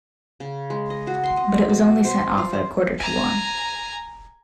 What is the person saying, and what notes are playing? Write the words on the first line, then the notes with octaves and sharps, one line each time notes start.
But it was only sent off at a quarter to one.
C#3
G#3
D#5
F#4
C6
D#5
B2
C5
F4
C5
G#5 A#5